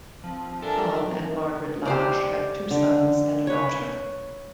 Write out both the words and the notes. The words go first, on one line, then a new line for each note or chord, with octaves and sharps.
Don and Margaret Lash had two sons and a daughter.
F3 C4
D4 A4 A#4 E5 G#5
G4 C5 D5
D3
B4 C#5